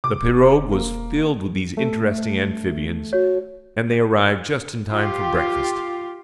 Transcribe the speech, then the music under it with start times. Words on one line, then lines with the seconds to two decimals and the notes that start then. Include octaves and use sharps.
The pirogue was filled with these interesting amphibians, and they arrived just in time for breakfast.
0.04 C3 D6
0.21 E1
0.72 A#3
1.77 A3
3.13 F#4 C#5
4.91 F4 G4